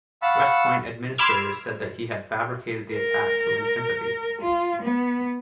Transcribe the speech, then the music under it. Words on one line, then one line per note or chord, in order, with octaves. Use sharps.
West Point administrators said that he had fabricated the attack to win sympathy.
F5 F#5 A5 B5 C#6 E6
B5 C6 D6 E6 F6 G#6
A#4
F4
B3